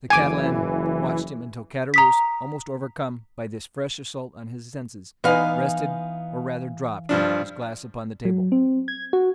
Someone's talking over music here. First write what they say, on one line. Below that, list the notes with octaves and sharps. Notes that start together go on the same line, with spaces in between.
The Catalan watched him until Caderousse, almost overcome by this fresh assault on his senses, rested, or rather dropped, his glass upon the table.
F#1 E3 G#5 D6
A#5 D#6 B6
E3 B3 D#4 F5 G#5
G2 F3 D4
F#3
C4
G#6
F#4